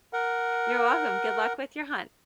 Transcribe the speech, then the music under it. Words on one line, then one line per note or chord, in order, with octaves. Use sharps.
You're welcome. Good luck with your hunt.
A#4 F#5